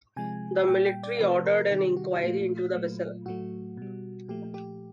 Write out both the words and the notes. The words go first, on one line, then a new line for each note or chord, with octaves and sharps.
The Military ordered an inquiry into the vessel.
C3 F3 G#3 G#5
A#2 G3 G5
G5
D5
C3 F3 A3 B4
A#4
C3 D#3 G3 G4
F#4
A#2 F3 A3 F4
A#2 F#3 A3
A2 F#3 A3 F#4
B2 G3
A#2 F3 A3 G4
G4